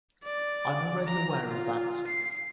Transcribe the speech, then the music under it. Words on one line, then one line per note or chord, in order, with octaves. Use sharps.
I’m already aware of that.
D5
A#5
F4
C7